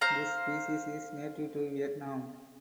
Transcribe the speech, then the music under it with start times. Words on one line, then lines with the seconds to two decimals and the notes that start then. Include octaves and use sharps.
This species is native to Vietnam.
0.01 C5 F5 A#5